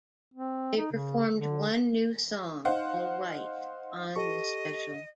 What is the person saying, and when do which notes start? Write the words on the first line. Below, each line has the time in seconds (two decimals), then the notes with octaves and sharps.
They performed one new song, "Alright," on this special.
0.34 C4
0.76 D#4
0.92 C#3
1.33 D3
2.65 D#4 C5 F5 F#5
4.16 G4 A4 D#5 C#6